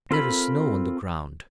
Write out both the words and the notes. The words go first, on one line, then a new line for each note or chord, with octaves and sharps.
There is snow on the ground.
C4 F4 A4 A#4 B5